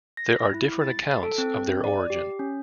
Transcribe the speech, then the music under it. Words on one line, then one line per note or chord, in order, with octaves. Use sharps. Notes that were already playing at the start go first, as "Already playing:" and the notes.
There are different accounts of their origin.
A#6
E4
A6
A4
C4
D5
G4
C#4